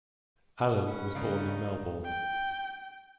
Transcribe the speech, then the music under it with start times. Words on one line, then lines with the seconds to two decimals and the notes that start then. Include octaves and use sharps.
Allan was born in Melbourne.
0.87 C#4 B4 F#5
1.15 C#3 G3 D#4 D5 F5
2.04 G5